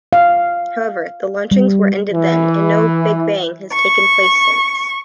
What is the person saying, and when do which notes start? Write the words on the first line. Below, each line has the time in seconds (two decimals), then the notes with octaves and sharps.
However, the launchings were ended then, and no "big bang" has taken place since.
0.13 F5
1.51 G3
2.13 E3
3.72 C#6